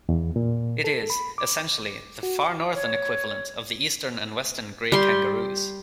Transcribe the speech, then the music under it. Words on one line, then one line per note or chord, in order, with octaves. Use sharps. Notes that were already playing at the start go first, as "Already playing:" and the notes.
It is, essentially, the far-northern equivalent of the eastern and western grey kangaroos.
E2
A#2
A4
B5
D6
F#4
C#5
G3 C6